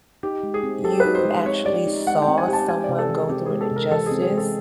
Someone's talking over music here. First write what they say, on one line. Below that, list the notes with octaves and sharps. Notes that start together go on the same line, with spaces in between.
you actually saw someone go through an injustice?
D#4 G4
G#3
G#4
C4
G4 A4
B4
D#4
C5
G#3 C5
C4 C#5
G4 D5
D#4
G#3 F#5
G5
C4
G#5
G4
A5
G#3 G#5
C3 D5
A4
E3
G#4
C4 G4
G#3 G#4
A4
C3
A#4
E3 A4
G#4
C4
G#4
G#3
A4